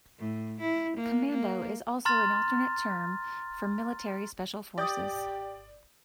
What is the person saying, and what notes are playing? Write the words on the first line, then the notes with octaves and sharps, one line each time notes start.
Commando is also an alternate term for military special forces.
A2
E4
A#3
A#3
A#5 C6 F6 A6
G4 D5 E5 D#6 G6